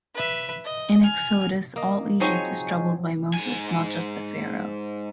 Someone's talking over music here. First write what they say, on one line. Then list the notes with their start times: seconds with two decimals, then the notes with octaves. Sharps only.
In Exodus all Egypt is troubled by Moses, not just the Pharaoh.
0.14 B4 E5
0.64 D#5
1.03 G#5 F6
1.76 A#3 D#5
2.20 F3 F#3 C4 D#4 G#4 C#5
3.34 G#2 G#5